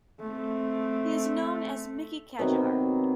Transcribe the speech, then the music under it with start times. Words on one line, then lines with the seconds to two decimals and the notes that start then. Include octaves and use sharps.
He is known as "Mickey Kadjar".
0.21 A3 C4
2.38 C3 D#3 F#3 B3